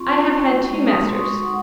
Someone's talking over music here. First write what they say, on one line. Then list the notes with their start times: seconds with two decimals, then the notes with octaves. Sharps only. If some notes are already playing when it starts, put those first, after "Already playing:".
I have had two masters.
Already playing: C4 F4 C6 C#6
0.52 G#3 D#4 F#4
0.86 D#6
1.03 C6
1.20 C#6
1.32 C#6
1.43 F#5